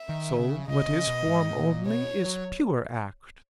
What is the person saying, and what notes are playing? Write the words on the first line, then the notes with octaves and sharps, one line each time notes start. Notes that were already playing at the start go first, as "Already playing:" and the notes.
So what is form only is pure act.
Already playing: E5
D#3
C#3
C#3 D#5
C#3
B2
G#2
A#2
B2 C#5
F#3